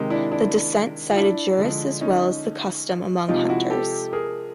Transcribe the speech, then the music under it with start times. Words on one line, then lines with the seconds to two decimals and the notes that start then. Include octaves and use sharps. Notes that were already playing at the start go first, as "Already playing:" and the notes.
The dissent cited jurists as well as the custom among hunters.
Already playing: C3 D#3 G#3
0.10 D4 E4
0.32 D4 E4
1.11 F4
1.17 D4 E4
1.58 D3 F3 G#3
2.01 C#4 D#4
3.28 C3 F3 G#3 D#4 F4
3.49 E4 F#4
3.70 G4 A4
4.13 G#4 A#4